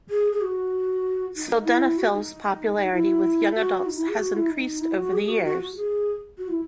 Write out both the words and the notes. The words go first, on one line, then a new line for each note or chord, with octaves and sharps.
Sildenafil's popularity with young adults has increased over the years.
G#4
G#4
F#4
D#4
E4
F#4
D#4
E4
F#4
D#4
E4
G#4
F#4
E4
D#4
E4
F#4
G#4
F#4
F#4
F#4
G#4
F#4
E4